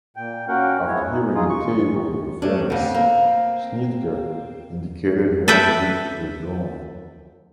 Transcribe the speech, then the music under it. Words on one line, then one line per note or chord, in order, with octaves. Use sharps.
After hearing a tape of the performance, Schnittke indicated he wanted it withdrawn.
A#2 G5
A#3 C#4 F#4 A#4 F#5 G5
D#3 F3 G#3 B3 E4 C#5
D#4
G#3 D#4 F4 G#4
C#6
A3 C#4 D4
F2 D3 C4
A#3
A4 B4 E5 G5